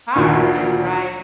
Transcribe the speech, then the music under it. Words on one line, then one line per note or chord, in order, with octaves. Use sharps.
car and drive
D2 A#2 D#3